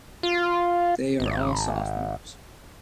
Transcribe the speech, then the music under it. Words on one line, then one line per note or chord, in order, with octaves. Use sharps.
They are all 'sophomores.
F4
G#1